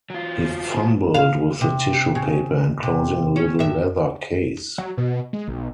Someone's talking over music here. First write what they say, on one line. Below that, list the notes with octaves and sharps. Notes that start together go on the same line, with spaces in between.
He fumbled with the tissue paper enclosing a little leather case.
F#3 F4
F5
C3
C#3
C3
C#4
G2 E5
F#3
B2
G#3
B1